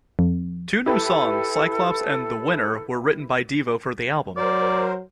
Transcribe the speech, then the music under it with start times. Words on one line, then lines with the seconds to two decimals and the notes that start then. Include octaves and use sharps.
Two new songs, "Cyclops" and "The Winner", were written by Devo for the album.
0.19 F2
0.86 E4 G4 A4 B4
4.37 F#3 A#4 C5 D5